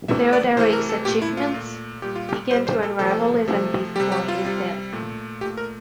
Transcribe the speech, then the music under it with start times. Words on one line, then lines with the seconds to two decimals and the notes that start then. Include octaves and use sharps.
Theoderic's achievements began to unravel even before his death.
0.08 C3 E3 A3 E5
0.33 D5
0.57 C3 E3 A3 C5
0.73 A#4
0.89 A4
1.05 A#2 A3 G4
1.22 E4
1.37 F4
1.54 A#2 A3
2.02 A#2 G3 G4
2.16 F4
2.29 G4
2.51 A#2 G3 C5
2.67 C5
2.83 A4
2.99 C3 F3 A3 A4
3.48 C3 F3 A3
3.96 C3 G3 G4
4.12 G4
4.28 F4
4.45 C3 G3
4.93 A#2 A3
5.41 A3 G4
5.45 A#2
5.57 A#4